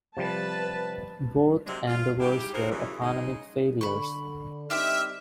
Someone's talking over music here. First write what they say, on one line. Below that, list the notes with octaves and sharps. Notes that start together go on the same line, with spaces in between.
Both endeavours were economic failures.
C3 F3 G3 B4 A5
C3 F#3 G#3 A#3 C4 D4
F4
G#2 G3 E4 G4
D#4 F#4 G#4 A#4 C5
F#2 C#3 E3
C#3 G#3 D#4
D3 B5 C#6
G3 C4 D4 D#4 G4 C5 E5 F6